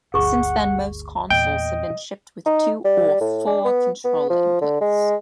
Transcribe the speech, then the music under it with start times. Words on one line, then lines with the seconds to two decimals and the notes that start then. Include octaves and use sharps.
Since then, most consoles have been shipped with two or four controller inputs.
0.14 G1 D2 G#4 F#5 C#6
1.30 E2 A#2 D#5 G5
2.46 D#4
2.85 G3
3.21 A2
3.47 D4
3.65 B3
4.04 B3
4.30 F3
4.61 D3
4.81 G#3